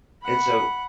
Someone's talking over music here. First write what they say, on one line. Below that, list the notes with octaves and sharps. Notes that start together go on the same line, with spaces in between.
and so,
F#5 B5